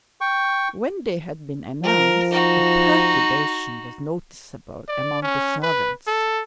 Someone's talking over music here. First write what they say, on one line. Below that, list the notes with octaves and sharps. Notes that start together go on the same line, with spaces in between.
When they had been announced a perturbation was noticeable among the servants.
G5 C#6
F3 A#4
D#4 F#4
D5
C#4
B4
A4